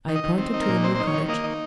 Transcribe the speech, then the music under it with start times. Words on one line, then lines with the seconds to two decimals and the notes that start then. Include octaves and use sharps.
I pointed to the new cottage.
0.08 D#3
0.16 D#5
0.24 D#3
0.38 C4
0.54 D#4
0.61 A#4
0.68 A#2
0.83 C4 C5
0.96 D#4 C5
1.07 C#5
1.14 D#3
1.29 A#3 D#5
1.44 D#4